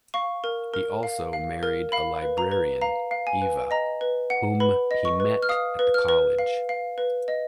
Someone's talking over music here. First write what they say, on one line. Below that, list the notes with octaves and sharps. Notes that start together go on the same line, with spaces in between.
He also married a librarian, Eva, whom he met at the college.
F5 C#6
A#4
A#4
F5
F5
A#4
F5 B5
B4
A#5
B4
F5 A#5
F5
G#5
B4
D#5 A#5
B4
F#5
B4 B5
D#5
C#6
B4
F6
F5 D#6
B4
F6
B4
F5
F5
B4
D#5